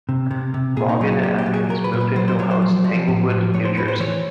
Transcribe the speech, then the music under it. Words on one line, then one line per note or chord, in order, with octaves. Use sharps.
Vaughan and Atkins moved into a house in Englewood, New Jersey.
C3
C3
C3
A#2 G#4
D#4
F#3 D#4
F#4
A#2 G4
G4
F#3
G#4
F#3 A#4
B4
A#2
B4
F#3 C5
C5
F#3 C#5
C5
F3
F3
A2
F3
A2 C#5
C5
A2 B4
C5
E3 C#5